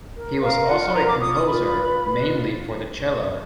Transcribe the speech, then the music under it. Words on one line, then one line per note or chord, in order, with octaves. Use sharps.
He was also a composer, mainly for the cello.
A#4
A#4 F5
F4 F#5
B5
A#4 A#5
D6
F4 D#6
D#6
F4 B5
B4
B4
F4